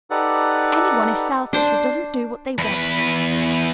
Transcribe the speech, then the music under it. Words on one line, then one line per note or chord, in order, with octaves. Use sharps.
Any one is selfish who doesn't do what they want.
D#4 G4 A4 B4 D5 F#5
D4 C5
E2 B4